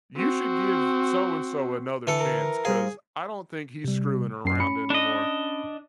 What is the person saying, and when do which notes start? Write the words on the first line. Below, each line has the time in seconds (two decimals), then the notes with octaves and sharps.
you should give so-and-so another chance, 'cause I don't think he's screwing around anymore.
0.16 C4 F#4
2.07 D3 E3 A4
2.20 A#4
2.65 G3 G#4 C5 F5
3.84 C3 G3
4.45 F#2 C7
4.60 C#4 B5 C#7
4.90 D4 D#5